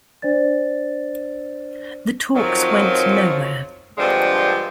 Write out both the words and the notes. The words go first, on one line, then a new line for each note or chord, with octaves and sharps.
The talks went nowhere.
D4 C5 D5 A6
F2 D#3 F3 F#3
G2 D3 F3 G#3 C4